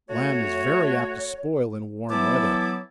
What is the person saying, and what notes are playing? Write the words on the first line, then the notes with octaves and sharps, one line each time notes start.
Lamb is very apt to spoil in warm weather.
A3 F#4 C#5
E3 F#3 B3 E4 A5 D6